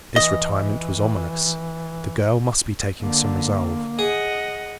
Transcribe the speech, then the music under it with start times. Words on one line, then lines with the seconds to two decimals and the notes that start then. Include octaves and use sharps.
This retirement was ominous; the girl must be taking some resolve.
0.16 E3 D#5
3.02 D3 A#3
3.99 G#4 D#5 F#5